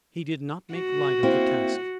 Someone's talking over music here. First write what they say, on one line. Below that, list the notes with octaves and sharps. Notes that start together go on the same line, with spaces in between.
He did not make light of the task.
F#4
A#3 C4 E4